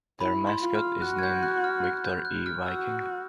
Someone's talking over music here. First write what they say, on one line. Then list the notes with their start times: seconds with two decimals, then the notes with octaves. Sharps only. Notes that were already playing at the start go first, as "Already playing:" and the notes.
Their mascot is named Victor E. Viking.
0.20 E4 B5
0.47 C6
0.61 F4
0.75 F6
1.02 F#4 F#6
1.18 G#6
1.23 G6
1.43 F#6
1.64 F6
1.84 F#6
2.05 G6
2.25 F#6
2.46 F6
2.66 F#4 E6